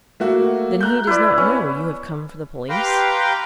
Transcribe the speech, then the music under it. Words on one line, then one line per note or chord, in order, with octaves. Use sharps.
"Then he does not know you have come for the police?"
A3 A#3 F#4
A#5 F#6 G6
E4 B4 D5
B3 C#4
G4 B4 F5 G5 A#5 C6